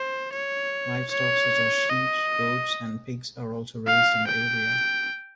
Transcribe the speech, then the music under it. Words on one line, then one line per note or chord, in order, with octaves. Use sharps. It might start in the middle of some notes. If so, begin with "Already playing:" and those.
Livestock such as sheep, goats and pigs are also raised in the area.
Already playing: C5
C#5
C#5
D#5
F5
G5